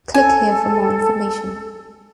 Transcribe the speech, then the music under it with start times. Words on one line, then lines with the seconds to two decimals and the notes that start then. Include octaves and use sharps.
Click here for more information.
0.14 A4 G#5